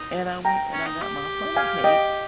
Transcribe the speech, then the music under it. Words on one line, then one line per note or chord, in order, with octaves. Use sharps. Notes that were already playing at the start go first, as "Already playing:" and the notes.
And I went and I got my funnel cake
Already playing: D#4
G5 A#5
C#4
D#4
G4
F5 G#5
D#5 G5